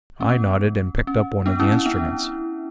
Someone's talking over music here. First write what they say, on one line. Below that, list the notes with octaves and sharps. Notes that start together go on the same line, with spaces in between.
I nodded, and picked up one of the instruments.
C#4
B3
C#4
B3 D4
C#4 E4
C#4
B3 D4